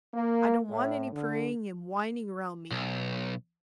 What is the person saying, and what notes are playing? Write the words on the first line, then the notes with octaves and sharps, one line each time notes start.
I don't want any praying and whining round me.
A#3
A2
D3
B1